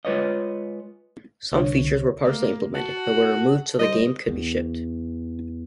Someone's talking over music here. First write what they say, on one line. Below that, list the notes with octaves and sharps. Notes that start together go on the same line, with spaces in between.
Some features were partially implemented, but were removed so the game could be shipped.
G#3 F4 B4 C#5 D#5
C2 D3 C#5
A3 A#3
F#4 A5
G3 D#4 C5 D#5
E2